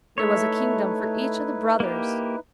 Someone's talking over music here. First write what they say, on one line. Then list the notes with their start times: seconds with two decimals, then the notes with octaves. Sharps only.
There was a kingdom for each of the brothers.
0.18 A3 D#4 E4 B4 C#5 E5
1.80 A#3 G4